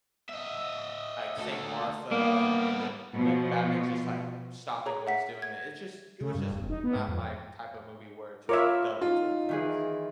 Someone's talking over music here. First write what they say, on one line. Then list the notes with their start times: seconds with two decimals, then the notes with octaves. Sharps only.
like, saying "Martha," and then, like, Batman's just, like, stopping what he's doing, and it's just it was just not my type of movie where it just delving into the themes.
0.29 D#5 E5
1.37 D2 A4
2.11 G3 A#3 B3
3.14 B2 F3
4.86 G#4 C#5 A#5
5.07 E5 F#5 B6
5.42 G#6
6.21 C#3
6.35 G2
6.52 E1
6.70 D#4
6.84 B3
6.96 G#2
7.09 F2
8.49 F4 A#4 C#5 E5 D6 F6
9.01 D#4 F4
9.49 D#3 E3 G#4